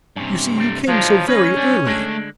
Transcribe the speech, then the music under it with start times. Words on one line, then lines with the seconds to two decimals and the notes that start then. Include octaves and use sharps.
"You see you came so very early."
0.16 G2 C3 C#4
0.58 A3 C4
0.88 F3 F#3 G#3 D4 D#4
1.28 D#3 G#3 C#4 B4
1.57 G3 D4 G#5
1.87 D3 G#3 A3 D4